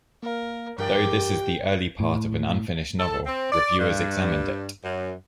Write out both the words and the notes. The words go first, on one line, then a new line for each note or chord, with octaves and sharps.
Though this is the early part of an unfinished novel, reviewers examined it.
A#3 A#4 F5
G2 E3 G4 A#4 D5 G5
A2
A4
C4
D5
G2
F#2